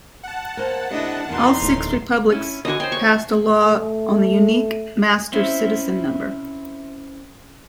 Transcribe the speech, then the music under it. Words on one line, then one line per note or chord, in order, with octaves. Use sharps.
All six republics passed a law on the Unique Master Citizen Number.
F#5 A5
A#3 C5
C3 A3 D4 E4 D#5
E2 B2 D#3 D#4 C6
D1 A2 D4
C#4 E4
E2 D3 F#4 D#5 G#5
C5 C#5 G5 C6
C#6
A3
C4 C#4 E4